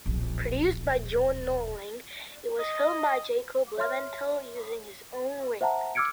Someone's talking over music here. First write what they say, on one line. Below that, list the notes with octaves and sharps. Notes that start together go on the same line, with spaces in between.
Produced by John Norling, it was filmed by Jacob Leventhal using his own rig.
D1 A#1
D#5
C#5 E5 C6 F6
C5 E5 F#5 A5 A#5
D6 E6 F6 G#6 C#7 D7